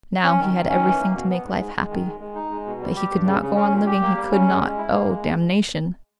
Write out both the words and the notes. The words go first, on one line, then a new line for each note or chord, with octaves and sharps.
Now he had everything to make life happy ... but he could not go on living, he could not; oh, damnation!
C#4
D#3
D#3
C#4
E3
A#3
B2
B3
G#2
G#3
G#3
D#3
G#3
G#3
D#4
G#3
B2
G3
G4
G2
C#3
C#3
C#4
A#2
G4
A#3
G3
C#4
G#3
G#3
E4
A#3
G#3